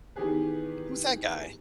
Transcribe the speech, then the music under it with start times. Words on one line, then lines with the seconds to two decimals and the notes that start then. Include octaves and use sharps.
"Who's that guy?"
0.16 D#3 E3 B3 G4 G#4 B4